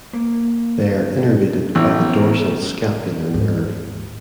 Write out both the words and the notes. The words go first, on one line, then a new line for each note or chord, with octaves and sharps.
They are innervated by the dorsal scapular nerve.
A#3
A1 E3 B3 C#4
D#2 G#2